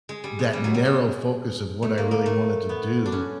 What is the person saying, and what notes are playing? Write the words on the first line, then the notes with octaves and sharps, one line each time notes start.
that narrow focus of what I really wanted to do
G#3
G3
G#3
G3
F#3
G3
G#3
A3
A#3
A#3
A3
B3
D4
C#4